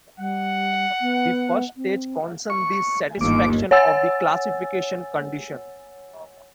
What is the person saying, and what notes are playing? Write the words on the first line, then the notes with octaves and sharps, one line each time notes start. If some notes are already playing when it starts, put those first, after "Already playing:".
The first stage concerns the satisfaction of the "classification condition".
G3 F#5
B3
C4
C#6
G1 D#2 D6
C#5 F#5 G#5 E6 A6